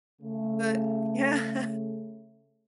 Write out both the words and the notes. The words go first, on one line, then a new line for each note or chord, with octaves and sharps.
but Yeah.
C#3 A3